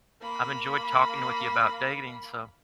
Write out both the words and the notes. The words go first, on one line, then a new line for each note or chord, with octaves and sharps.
I've enjoyed talking with you about dating, so
A#3 B5